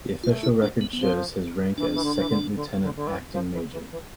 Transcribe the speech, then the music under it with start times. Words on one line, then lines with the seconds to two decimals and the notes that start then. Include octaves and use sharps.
The official record shows his rank as second lieutenant acting Major.
0.24 A3 F4
0.43 E4
0.62 D4
0.81 B3
0.93 B3
0.97 E3
1.00 F3 C4
1.78 E3 D4
1.94 E3
2.04 D3
2.19 E3
2.29 D3
2.55 D3
2.82 D3
2.96 D3
3.07 E3
3.33 F3
3.52 E3
3.71 E3
3.91 E3